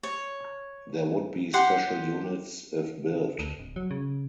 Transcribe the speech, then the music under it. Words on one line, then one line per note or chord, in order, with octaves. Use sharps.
There would be special units if built.
C#5
G4 F#5 C6
D2
D1
F#3
C#3